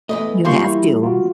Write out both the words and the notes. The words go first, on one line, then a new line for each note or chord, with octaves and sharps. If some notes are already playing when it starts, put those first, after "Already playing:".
You have to.
E2 A3 B4 D#5
E3 G3 A#3 F4 C6 C#6
E4
F4 F#4